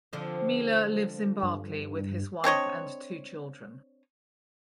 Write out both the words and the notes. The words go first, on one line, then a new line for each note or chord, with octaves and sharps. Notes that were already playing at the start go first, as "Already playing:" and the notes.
Miele lives in Berkeley with his wife and two children.
D3 F3 C4
G2
C4 D4 C#5 D#5